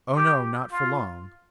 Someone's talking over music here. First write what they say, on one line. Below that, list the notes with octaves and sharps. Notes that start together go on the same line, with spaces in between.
Oh no, not for long.
G4
F4